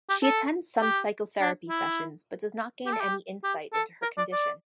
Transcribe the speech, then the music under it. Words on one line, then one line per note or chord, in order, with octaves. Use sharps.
She attends some psychotherapy sessions, but does not gain any insight into her condition.
G4
A4
G4
D4
E4
G4
A4
G4
G4
A4
A#4
D5
D5